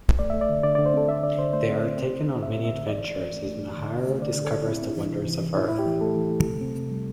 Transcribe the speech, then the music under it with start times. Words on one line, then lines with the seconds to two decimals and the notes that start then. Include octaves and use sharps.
They are taken on many adventures as Miharu discovers the wonders of Earth.
0.19 A3 D5
0.30 A3 E5
0.41 D5
0.49 D3
0.63 D3 D5
0.75 D3 D5
0.86 C5
0.94 C4 A4
1.08 D3 E5
1.23 D3 D5
1.38 D3 C5
1.53 A3 C5
1.68 C4
1.83 C4
1.98 C4
2.13 C4
2.28 C4
2.42 C4 E5
2.57 C4
2.65 E5
2.73 D3
2.87 E3 D5
3.03 E3
3.18 E3
3.32 A3
3.48 A3
3.62 A2
3.77 D3
3.92 D3
4.07 A3
4.22 D3 D5
4.37 D3
4.45 A4
4.52 D3
4.67 C4 E4
4.82 C4
4.97 E3
5.12 C3
5.27 E3
5.41 E3
5.56 A2 E4
5.68 A2 E4
5.79 G4
5.86 E3
6.01 A3 A4
6.16 E3
6.31 A3
6.46 C3
6.61 C4
6.75 C3
6.91 G3